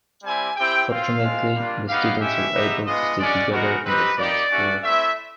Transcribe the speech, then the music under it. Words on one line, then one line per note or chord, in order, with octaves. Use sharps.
Fortunately, the students were able to stay together in the same school.
G3 C4 E4 G4 G#5
C4 E4 G4 G5
C4 F4 F5
G#3 C4 F4
G3 A#3 D4 F4
B3 D#4 G4 F5
G#3 C#4 E4 G4 E5
B3 D#4 G4
G#3 B3 D4 F4 D#5
G#3 C#4 F#4 D5
G#3 B3 D#4 F#4 A#4
C4 D#4 G4 B4
A#3 D#4 G4 D5
A3 C#4 F#4
A3 C4 E4 E5